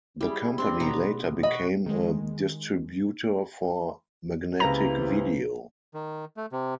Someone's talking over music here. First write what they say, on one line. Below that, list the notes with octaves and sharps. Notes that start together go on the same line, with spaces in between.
The company later became a distributor for Magnetic Video.
G3 E4 G#4
C4 D4 G4
B2 B3 A#5
F#4 D#5 B5
D#3 G#3
C#2 C3 A#3 E4 B4 A#5 F7
D#3
A3
C3